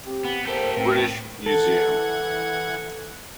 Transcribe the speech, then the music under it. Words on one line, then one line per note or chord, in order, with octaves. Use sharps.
British Museum.
C4 G4
B3
A#3 G4 A4 C5
A2 C4 B4 G5
E3 A4 F#5 G#6